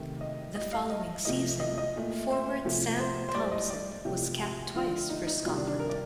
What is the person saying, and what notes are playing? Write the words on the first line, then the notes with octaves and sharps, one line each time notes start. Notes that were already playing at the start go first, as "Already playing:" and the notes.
The following season, forward Sam Thomson was capped twice for Scotland.
Already playing: C3 D#3 A3
D#5
A2 G3 D#5
F5
D#5
C3 F3 A3 D#5
D#5
D#5
A#2 A3
C5
C3 F3 A3
C5
C5
A2 G3 D5
D#5
D5
C3 F3 A3 G4
G4
D3 F3 A3 F4
D#4
D#4
C3 D#3 G3 F4
D4
D4
A#4
D5